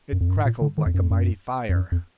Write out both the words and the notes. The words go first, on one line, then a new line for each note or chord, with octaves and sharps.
It crackled like a mighty fire.
F#2
F2
F#2
G#2
A#2
D3
D#3
F2
F#2
F2
F#2
F2
F#2
F2